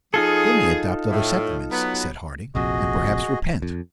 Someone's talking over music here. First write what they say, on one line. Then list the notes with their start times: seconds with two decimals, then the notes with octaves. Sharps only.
"They may adopt other sentiments!" said Harding, "and perhaps repent."
0.14 F3 D#4 F4 G#4 A4
1.10 A2
1.71 F#3 B3
2.55 F1 A#1 F2 F#4 G#4 D#5
3.62 F2